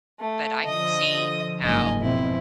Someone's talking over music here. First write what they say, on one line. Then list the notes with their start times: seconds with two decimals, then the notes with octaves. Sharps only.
But I can see how
0.20 A3
0.65 D3 F3 D#5 D#6
1.63 F#1 G#2 A#3 D#5 G#5
2.01 F2 B2 C4 E4